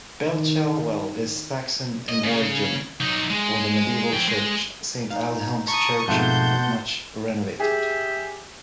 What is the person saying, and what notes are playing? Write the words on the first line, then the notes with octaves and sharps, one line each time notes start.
Belchalwell is Saxon in origin, with a medieval church, Saint Aldhelm's Church, much renovated.
D#3
D#5
C#3
F#3 D#4
G#3
F3 G5
G#3
D#4 F5
A5 A#5 C#6 D#6
F2 G#2 B2 A3 F#5 A5 C6 G6
G4 G#4 E5